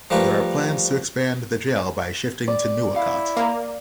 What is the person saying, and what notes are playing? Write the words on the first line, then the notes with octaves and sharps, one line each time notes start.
There are plans to expand the jail by shifting to Nuwakot.
F3 G3 A3 A#4 B4
D5
E4 F5
A#3 F5 A#5